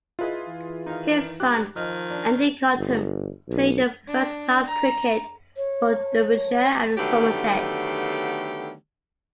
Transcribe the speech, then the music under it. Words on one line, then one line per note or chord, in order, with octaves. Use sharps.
His son, Andy Cottam, played first-class cricket for Derbyshire and Somerset.
E4 F4 G#4 B4 D#5
E3
D#3 D#4 F5
G2 G4 F#6
D#3 F3 D#5 F6
D4
G1
B1
D4
A#5
C#5
D3 D#3 F#3 A3 B3 G4